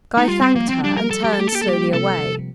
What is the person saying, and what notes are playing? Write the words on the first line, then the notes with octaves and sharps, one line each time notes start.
Guy thanked her, and turned slowly away.
A#3
A3 D#4
G3 F4
C4
F3 A#3
C4
G3 D4
A#4
A4
G4
A4
A3 G4
A4
A#3 G4
A4
G3 G4
F3
C3 A4
C3